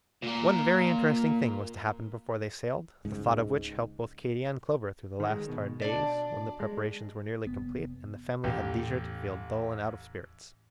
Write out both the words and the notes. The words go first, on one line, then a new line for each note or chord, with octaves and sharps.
One very interesting thing was to happen before they sailed, the thought of which helped both Katy and Clover through the last hard days, when the preparations were nearly complete, and the family had leisure to feel dull and out of spirits.
A#2 A#3
C#2 G#2
D#3 G#3
B2
D4 D5
G#3
F1 B3
A1 E2 A2 G4